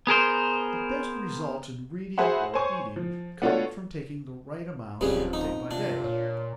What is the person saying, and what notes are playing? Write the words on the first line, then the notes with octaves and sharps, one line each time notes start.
The best results in reading or eating come from taking the right amount day by day.
B3 G#4 A#4 C5
F#4 G#4 C5 E5 F#5 B5
C5 C#5 G#5 C#6
F3
B3 D4 F4 F#4 A4 C#5
D1 B1 F3 G3 C4 C#4 G#4
D#4
C3 D4 F4
A#2 C#5